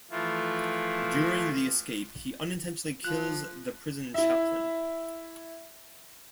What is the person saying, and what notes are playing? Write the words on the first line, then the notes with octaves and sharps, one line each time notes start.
During the escape he unintentionally kills the prison chaplain.
E3 F3 A3 E4 F4
F3 F4 F#6
E4 E5